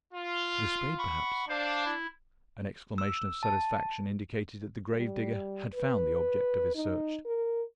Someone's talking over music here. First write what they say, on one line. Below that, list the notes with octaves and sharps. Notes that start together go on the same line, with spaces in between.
"The spade, perhaps." An exclamation of satisfaction indicated that the grave-digger had found the object of his search.
F4
F#5 B5 C#6
D4 C5 F5
E4
E6
A5
G3
B4
D#4
A#4